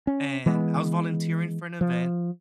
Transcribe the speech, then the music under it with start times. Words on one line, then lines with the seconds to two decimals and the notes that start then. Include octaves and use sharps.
and I was volunteering for an event,
0.07 C#4
0.46 E3 G#3 B3
1.81 F3